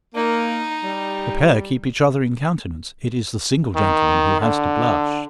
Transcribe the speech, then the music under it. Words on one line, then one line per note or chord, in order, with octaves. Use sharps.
A pair keep each other in countenance; it is the single gentleman who has to blush.
A#3 D#4
G3
D#3
D3